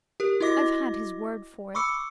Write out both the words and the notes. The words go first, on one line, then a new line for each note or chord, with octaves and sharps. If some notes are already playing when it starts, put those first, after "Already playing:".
I've had his word for it.
G4 A#4
E4 F#4 D#5 D6 A#6
B5 C#6 D6 E6 C#7